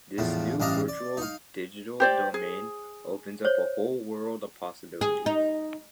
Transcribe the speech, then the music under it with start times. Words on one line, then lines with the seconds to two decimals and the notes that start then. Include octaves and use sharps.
This new virtual digital domain opens up a whole world of possibilities.
0.18 E2 A2 F3
0.60 A1 G2 D4 D#5 F5 A#5
0.88 D5
1.17 D#4 F5
2.00 G4 C5 D5
2.34 G#4
3.45 C5 C#5
5.01 G#4
5.26 D#4